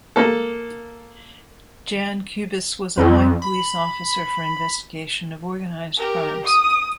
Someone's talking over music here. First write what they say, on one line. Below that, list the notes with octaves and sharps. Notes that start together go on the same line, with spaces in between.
Jan Kubice was a high police officer for investigation of organized crimes.
A#3 A4
F2
B5
G4 A#4
D#6